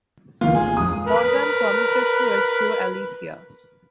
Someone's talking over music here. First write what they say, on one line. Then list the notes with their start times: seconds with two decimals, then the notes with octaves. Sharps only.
Morgan promises to rescue Alicia.
0.41 C#2 D#3 A#3 F4
0.55 A1 G#4
0.77 F2 G#3 D#6
1.06 A#4 B4